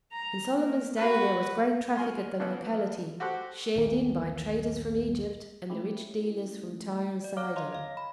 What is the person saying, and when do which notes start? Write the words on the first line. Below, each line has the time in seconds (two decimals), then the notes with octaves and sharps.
In Solomon's day there was great traffic at the locality, shared in by traders from Egypt and the rich dealers from Tyre and Sidon.
0.12 A#5
0.56 A#3
0.96 F#4 B4
1.97 F#4 A#4 G#5 C6
2.40 C#3 E3 F3 G3 B3
3.20 F#4 G4 A4 C5 F#5
3.75 D#1 A#1 D#3 A#3
5.70 G#3 A3 C#4 E4 G4
7.24 D5
7.37 C#5 F5 D6 F6
7.56 C#5 D#5 F5 A#5 C6
7.73 D#5 F5
7.97 B5